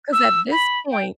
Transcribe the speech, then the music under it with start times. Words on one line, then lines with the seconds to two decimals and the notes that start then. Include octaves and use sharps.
'cause at this point
0.13 E6
0.52 B5
0.91 G5